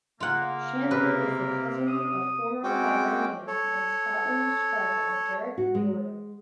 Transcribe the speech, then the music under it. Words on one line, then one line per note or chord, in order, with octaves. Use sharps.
Shanley is the cousin of former Hibernian and Scotland striker Derek Riordan.
C#3 A#3 F4 F#5
C3 B4
D#6
G#3 C4 C#4 F#4 G5 D6
A4 C#5
F#4
G#3